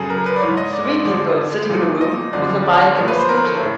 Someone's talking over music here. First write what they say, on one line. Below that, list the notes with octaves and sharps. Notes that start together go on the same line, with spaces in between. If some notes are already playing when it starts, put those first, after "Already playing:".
Three people sitting in a room with a bike and a scooter.
Already playing: F#2 C#3 F#3 G#4 A4
A#4
B4
D5
G#2 E3 C#5
D#5
D5
F2 D3 F3 D5
A#2 F3
D#5
F#2 D3 F3 D5
D5
A#2 F3 C#5
B4
C5
A#4
A4
A2